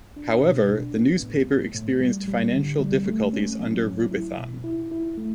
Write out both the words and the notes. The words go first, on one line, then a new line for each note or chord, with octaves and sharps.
However, the newspaper experienced financial difficulties under Rubython.
D4
B2
D4
B3
A2
A2
A2
G3
G3
D3
G3
A3
C#4
F#3
A2
E4
B2
E4
E4
A3